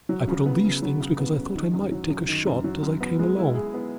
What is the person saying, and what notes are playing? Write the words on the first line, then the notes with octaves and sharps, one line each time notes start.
I put on these things because I thought I might take a shot as I came along.
F#3
C#3
B3
C#3
F#3
C#3
B3
C#3
D#3
F#2
F#3
F#2
D#3
F#2
F#3
F#2
B3
G#3
E4
G#4
B3